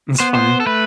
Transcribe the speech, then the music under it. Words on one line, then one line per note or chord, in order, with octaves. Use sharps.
It's funny.
B3 C5
C5
A4
A3 B4